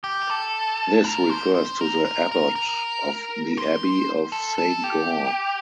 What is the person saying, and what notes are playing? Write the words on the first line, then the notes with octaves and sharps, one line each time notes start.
This refers to the abbot of the Abbey of Saint Gall.
G4
A4
A#4
C5
C5
A#4
A#4
A#4
A#4
C5
A4
A4
G4